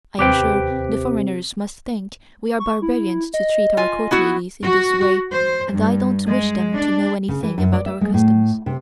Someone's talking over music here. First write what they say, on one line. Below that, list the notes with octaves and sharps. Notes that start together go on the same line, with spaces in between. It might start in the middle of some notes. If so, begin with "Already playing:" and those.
I am sure the foreigners must think we are barbarians to treat our Court ladies in this way and I don't wish them to know anything about our customs.
D#2 C3 C4 G4 B4 G5
C#6
E4
D#5
F4 G#5
B3 E4 F#4
F#4
C5
G2
G#3
D4
C#3
E3
F#2
D5
E5
G#3
A2
C3